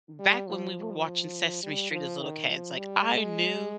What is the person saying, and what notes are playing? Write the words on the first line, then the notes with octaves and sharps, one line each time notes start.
M Back when we were watching Sesame Street as little kids, like I knew,
G3
F3
G3
F3
D#3
F3
G3
G#3